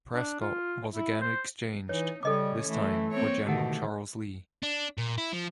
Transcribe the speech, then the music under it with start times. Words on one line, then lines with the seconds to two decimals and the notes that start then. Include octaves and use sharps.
Prescott was again exchanged, this time for General Charles Lee.
0.13 D4
0.40 F4
0.92 E4
1.21 C5
1.89 E3 D#4 C#5
2.23 C#3 G3 C#4 A4 D#5 D6
2.66 E3 A3
3.12 A#3 C4 C#5
3.47 B2 D3 D#3 A3 G4 F#5
4.63 D4
4.98 A#2
5.18 E4
5.33 F3